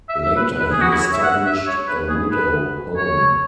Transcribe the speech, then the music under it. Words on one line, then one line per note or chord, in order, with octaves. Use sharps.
Later he established a Widow Home.
E5
E5
B4
B4
G#4
F#4
E4
C#5
E5
F#5
E5
C#5
B4
G#4
B4
C#5